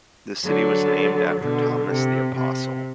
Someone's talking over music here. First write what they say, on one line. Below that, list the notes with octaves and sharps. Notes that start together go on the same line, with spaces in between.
The city was named after Thomas the Apostle.
D3 F#3
B2 D3
C3
C3